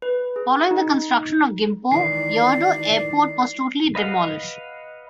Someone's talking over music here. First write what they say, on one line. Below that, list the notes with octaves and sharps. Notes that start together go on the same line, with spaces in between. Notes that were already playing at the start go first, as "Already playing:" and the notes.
Following the construction of Gimpo, Yeouido Airport was totally demolished.
B4
G#4
D#4
D#3 E3 G#3 D5 C7
B4 D#5 F5 F#5